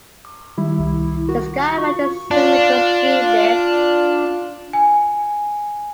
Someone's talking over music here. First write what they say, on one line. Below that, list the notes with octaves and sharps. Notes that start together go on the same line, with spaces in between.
The Skyride is similar to a ski lift.
D#3 G3 E4
C2
F#4 A#4
F4 C#6
D4 F4
G#5